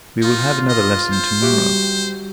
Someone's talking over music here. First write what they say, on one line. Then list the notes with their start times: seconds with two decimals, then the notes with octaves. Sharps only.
We will have another lesson to-morrow.
0.21 D#4 F4
0.69 D#5
1.13 C5
1.42 G3 F#4 G4 E5